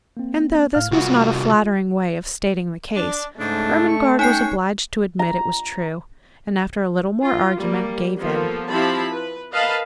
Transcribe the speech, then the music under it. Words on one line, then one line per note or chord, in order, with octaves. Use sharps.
And though this was not a flattering way of stating the case, Ermengarde was obliged to admit it was true, and, after a little more argument, gave in.
A#3 C4
A2 F5 F6
C2 F4 F#4
D4
G#2 C#3 A3 D4
C#6
C#4 D#4 C#5 G5 G#5 C7
A#5
F4
G3 A#3
F3 A#3 B3 A4
F3 C4 E4 G4 A5 B5
B4
A#4 B4 D#5 F5 A5 B5